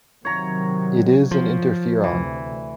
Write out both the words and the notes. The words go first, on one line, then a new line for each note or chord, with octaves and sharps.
It is an interferon.
C3 D#3 F#3 C#5 A#5
F3
D2 C3 E3